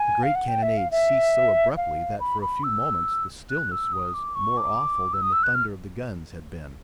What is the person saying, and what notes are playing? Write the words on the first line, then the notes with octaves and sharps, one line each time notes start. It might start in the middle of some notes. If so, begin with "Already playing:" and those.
The great cannonade ceased so abruptly that for a few moments the stillness was more awful than the thunder of the guns had been.
Already playing: G#5
F5
F#5
G5
E5
F5
E5
F5
B5
B5
E6
F#6
E6
D#6
D6
C#6
D6
E6
D#6
E6
F#6
F6